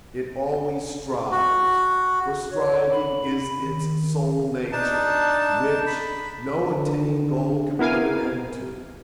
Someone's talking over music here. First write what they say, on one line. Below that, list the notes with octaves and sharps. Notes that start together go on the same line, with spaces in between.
It always strives, for striving is its sole nature, which no attained goal can put an end to.
F#4
C#5
B5
D#3
D4 D#4 A5
B5
D3
B3 E4 A#4 F5 G#5